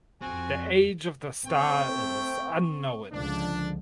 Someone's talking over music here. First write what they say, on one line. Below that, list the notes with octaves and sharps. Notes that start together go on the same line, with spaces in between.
The age of the star is unknown.
F2 C4 F#4 G#5
A3 C4 C5 G5 C#6
C#2 D3 F3 D4